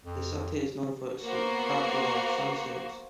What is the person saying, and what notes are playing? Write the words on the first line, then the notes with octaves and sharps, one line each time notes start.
The city is known for its spectacular sunsets.
F2
A#3 B3 F#4 C5